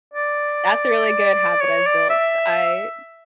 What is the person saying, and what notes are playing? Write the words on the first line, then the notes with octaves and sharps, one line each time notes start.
that's a really good habit I've built. I
D5
C#5
D5
E5